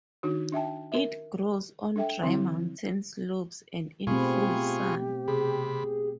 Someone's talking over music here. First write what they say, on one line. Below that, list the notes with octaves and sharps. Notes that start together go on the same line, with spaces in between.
It grows on dry mountain slopes and in full sun.
D#3 D4 D#4 F#4
D4 E5 G5 A5
A#4 E5
D4 A4 E5 G5
D3 F#3 C4 E4
B2 A3 C4 F4 G4 G#4 B5 C#6
C3 G#4 B5